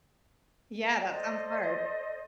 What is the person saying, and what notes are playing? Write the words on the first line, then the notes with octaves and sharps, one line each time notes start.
Yeah, that sounds hard.
A4 C5 D5 D#5